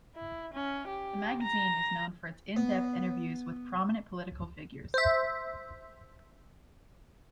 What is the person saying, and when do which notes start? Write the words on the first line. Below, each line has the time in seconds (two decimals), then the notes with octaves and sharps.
The magazine is known for its in-depth interviews with prominent political figures.
0.16 E4
0.53 C#4
0.88 G4
1.42 A#5
2.56 B3
4.94 C5 E5